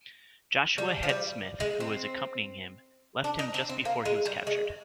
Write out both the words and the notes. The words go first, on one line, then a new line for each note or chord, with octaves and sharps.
Joshua Hett Smith, who was accompanying him, left him just before he was captured.
G3
F3
G3
G#3
C4
D4
D#4
C4
C4
A#3
G#3
G3
G#3